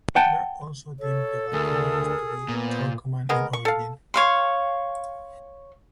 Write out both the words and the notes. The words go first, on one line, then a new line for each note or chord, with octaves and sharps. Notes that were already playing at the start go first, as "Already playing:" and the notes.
Hitler also deemed the Bulgarians to be "Turkoman" in origin.
F#5 G5 A5
A4 C#5
D2 G#4 A#4
A#2 B3
C5
G#3 B3 A#4
C#6
A4 F5
C#5 F5 C6